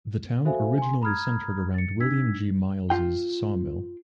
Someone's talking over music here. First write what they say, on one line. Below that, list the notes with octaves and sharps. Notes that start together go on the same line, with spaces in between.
The town originally centered around William G. Miles's Sawmill.
F#4 A4 C5 E5 F5 G#5
G#5 C6
A#5 B5 D#6 F6 G#6
A6 C#7
D4 D#4 E6 G#6 B6
F4 G5